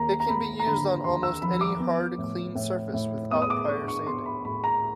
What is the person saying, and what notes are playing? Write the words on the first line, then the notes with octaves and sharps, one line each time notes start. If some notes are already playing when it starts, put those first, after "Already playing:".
It can be used on almost any hard, clean surface without prior sanding.
Already playing: D#2 A#3 A#5
A#5
A#3 B5
A#5
D3 B5
D#2 C6
E6
F3 B5
D6
B3
A2
A2
A2
B3 D#6
D#6
D6
D4 C#6
C#6
B3 C6
B5
A2 B5
A#5